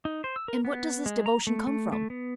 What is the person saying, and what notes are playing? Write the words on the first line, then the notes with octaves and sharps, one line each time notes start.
"And what does this devotion come from?"
D#4
C5
E6
A#4
B3
G#3
A#5
A3
A3
A3
B3